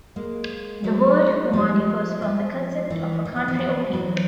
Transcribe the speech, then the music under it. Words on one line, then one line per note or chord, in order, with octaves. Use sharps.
The Word "Ummah" differs from the concept of a country or people.
G#3 A#3
F#3 G#3
F3 G3
F3
E3
E3
F3
E3
F3
E3 F#3